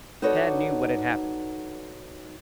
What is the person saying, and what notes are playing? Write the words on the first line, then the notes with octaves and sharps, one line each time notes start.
Tad knew what had happened.
D#4 F#4 A4 B4 C#5 D5